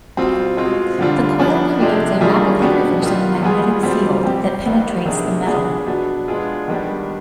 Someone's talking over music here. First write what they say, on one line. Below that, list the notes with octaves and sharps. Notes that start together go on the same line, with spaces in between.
The coil creates a rapidly reversing magnetic field that penetrates the metal.
B2 G3 C4 F4
B2 G#3 C4 F4
D3 G3 D4 F4
F3 B3 D4
C3 F3 G#3 D4 G4
D#3 G3 D4 F4 G#4
B2 B3 D4 G4
D#3 G3 B3 F4
G3 B3 F4 G#4
B2 G3 C4 F4
G3 C4 G4
D#3 G3 B3
C3 D#3 B3 D4 G#4
F3 B3 D4 G#4
B2 B3 D4
G#3 B3 D4 F4 G#4
D#3 G3 B3 D4 G4